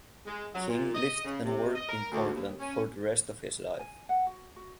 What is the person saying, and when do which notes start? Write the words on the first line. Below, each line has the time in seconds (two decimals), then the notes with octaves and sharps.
King lived and worked in Portland for the rest of his life.
0.26 G#3
0.55 F#3
0.69 A#2
0.94 D#5
1.25 C#3
1.45 C3
1.75 D#5
1.89 A#4
2.12 D2
2.34 D#2
2.60 C#4
3.79 G#5
4.09 F#5
4.27 F#4
4.56 F#4